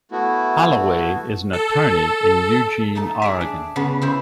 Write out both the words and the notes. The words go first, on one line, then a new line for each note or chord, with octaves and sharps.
Holloway is an attorney in Eugene, Oregon.
A3 B3 E4 F#4
A4
A3 D#4 A5
G#4 D5 E5
D4
C#3 B3
C#3 E4 C5